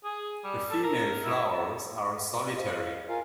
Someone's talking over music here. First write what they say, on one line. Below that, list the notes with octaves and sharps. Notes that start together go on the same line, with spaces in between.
The female flowers are solitary.
G#4
G3
A4
A#4
E4
G#4 C5 D#5 F5
F4 A#4 F5 G#5